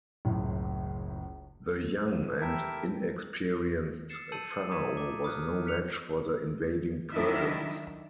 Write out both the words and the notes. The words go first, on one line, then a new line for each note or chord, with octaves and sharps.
The young and inexperienced pharaoh was no match for the invading Persians.
F#1 C#2 F#2 A2
E4 G4 A4 A#4 E5
A6 C7 C#7 E7
A5 E6 G6 C#7 D#7 F#7
A#5 D#6 G#6 B6 D#7
D6
D#6 F6 F#6
F6 F#6 B6 C#7 F7
D#3 F#3 D4 E4 D#5 E5